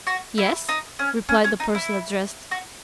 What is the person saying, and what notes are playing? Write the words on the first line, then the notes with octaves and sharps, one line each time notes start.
"Yes," replied the person addressed.
F#4
E4
D#4
C#4
C#4
C#4
D#4
E4
F#4